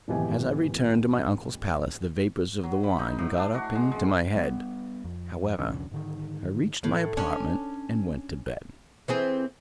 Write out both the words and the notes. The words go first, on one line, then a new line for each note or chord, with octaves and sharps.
As I returned to my uncle's palace, the vapours of the wine got up into my head; however, I reached my apartment, and went to bed.
D1 G#1 B2 E3 G4 G#5
F#3
B5
D#4
A2
D4
F#4
G#3
G#3
G3 A#3 B3
F2
C2 F2 D3 C#4
G#2 D3 D#3
A2
C#4 D4
E3 C4 G#4